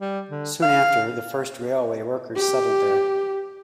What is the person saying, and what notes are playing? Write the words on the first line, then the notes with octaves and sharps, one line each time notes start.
Soon after, the first railway workers settled there.
G3
D3
F5
G4